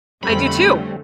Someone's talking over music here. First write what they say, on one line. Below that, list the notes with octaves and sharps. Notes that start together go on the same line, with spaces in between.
I do too.
F2 D3 G3 A3 C4 C#4 B5